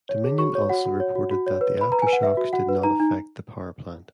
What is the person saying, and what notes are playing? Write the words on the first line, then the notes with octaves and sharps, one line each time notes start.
Dominion also reported that the aftershocks did not affect the power plant.
C#5
G#4
F#4 C#6
C#5
F#4 F#5
F#4
C#5
F#4
F#4
C#5
B4
B4 B5
B4 A#5
B4 G#5
F#5
B4 E5
F#4
F#4 F#5
B4
D#4 A#5
D#4